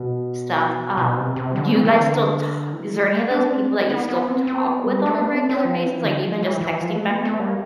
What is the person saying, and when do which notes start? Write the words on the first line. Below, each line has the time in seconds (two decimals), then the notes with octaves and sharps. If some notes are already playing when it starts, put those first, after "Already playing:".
stuff, um, do you guys still ta is there any of those people that you still talk with on a regular basis, like even just texting back and forth?
Already playing: B2
0.97 B2
1.17 C3
1.36 C3
1.56 D3
1.71 E3
1.85 E3
1.99 D3
2.73 E3
2.92 A3
3.31 D4
3.50 C4
3.90 B3
4.09 B3
4.28 C4
4.47 C4
4.67 B3
4.86 G3
5.06 A3
5.21 B3
5.35 C4
5.49 C4
5.65 F3
5.84 E3
6.04 D3
6.23 F3
6.43 E3
6.61 E3
6.81 F3
6.96 A3
7.10 B3
7.25 A3
7.39 G3